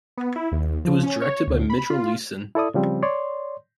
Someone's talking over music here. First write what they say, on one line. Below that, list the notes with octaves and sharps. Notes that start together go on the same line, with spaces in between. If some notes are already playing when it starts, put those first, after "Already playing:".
It was directed by Mitchell Leisen.
B3
E4
D#2
F3
C#4
C#5
D2
B5
F4
E4 A4 D5 D#6
C#3 F3 G3 C4
C#5 D5 C6